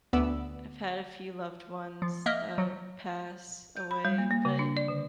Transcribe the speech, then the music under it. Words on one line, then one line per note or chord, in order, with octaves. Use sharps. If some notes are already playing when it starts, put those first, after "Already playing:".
I've had a few loved ones, uh, pass away, but
D2 B3 D5 B5 E6
F3
A#3 D#5 E5 F6
F#3
G6
B5
G3
A#3
A#3
C#3
D4
D5
D3